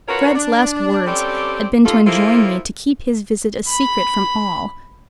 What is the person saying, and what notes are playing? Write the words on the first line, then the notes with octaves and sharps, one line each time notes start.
Fred's last words had been to enjoin me to keep his visit a secret from all.
F4 F#4 A#4 B4 C#5
D4
G3 C4 C#4 G4 A4 D5
D#2 F4 A4
F3 A#3 E4 F4 G4 A4
B5